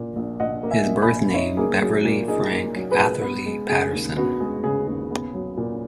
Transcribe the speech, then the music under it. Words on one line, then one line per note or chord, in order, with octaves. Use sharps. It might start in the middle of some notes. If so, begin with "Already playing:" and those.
His birth name: Beverley Frank Atherly Patterson.
Already playing: A#2 A#3
A#1
A#1 D#5 F#5
A#3
E5 G#5
A#2
G#5 B5
A#1
D#4 C#5 E5
A#3 G#4
F#3 G#4
A#2
D#4 G#4
A#3
F#3
G#4 B4
A#2
B3
G#3
C#3 G#4
D#2
B3 F#4
G#3 G#4
C#3 G#4
D#2 G#4
B3
F#3
A#2